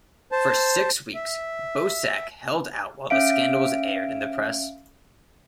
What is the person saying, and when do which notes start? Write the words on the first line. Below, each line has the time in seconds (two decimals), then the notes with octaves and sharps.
For six weeks Boesak held out while the scandal was aired in the press.
0.32 C5 A5
1.15 E5
3.10 C#4 E5 F5 D7